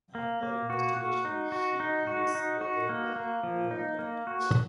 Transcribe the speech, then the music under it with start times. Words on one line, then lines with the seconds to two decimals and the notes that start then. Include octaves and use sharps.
After investigation he and his brother were proven right.
0.15 A#3
0.43 A#3
0.70 F#4
0.97 F#4
1.25 D#4
1.52 F#4
1.80 D#4
2.07 F#4
2.35 D#4
2.61 F#4
2.89 A#3
3.16 A#3
3.43 F3
3.71 D#4
3.99 A#3
4.27 F#4